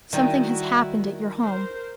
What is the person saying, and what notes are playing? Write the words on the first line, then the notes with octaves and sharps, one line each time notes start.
Something has happened at your home.
D#3 G3 E4 F#4
A#4 C5